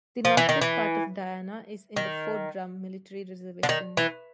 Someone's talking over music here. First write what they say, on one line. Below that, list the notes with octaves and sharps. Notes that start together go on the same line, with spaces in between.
The northwest part of Diana is in the Fort Drum military reservation.
F3
E3
D#3
E3
D#3
D3
D#3
E3